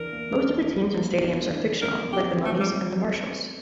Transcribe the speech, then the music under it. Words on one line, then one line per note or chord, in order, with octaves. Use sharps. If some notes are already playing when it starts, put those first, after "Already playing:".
Most of the teams and stadiums are fictional like the Mummies and the Marshalls.
Already playing: E2 E3 D4 A#4
A#3
E2
D4
E3
A#3
E2
D4
E3
A3 A#4
E2
G4
C4
E3 A3
G3
A3